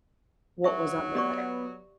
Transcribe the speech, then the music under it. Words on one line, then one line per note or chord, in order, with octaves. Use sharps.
what was under there.
F#3 E5 C#6
B3 G4 D5 C#6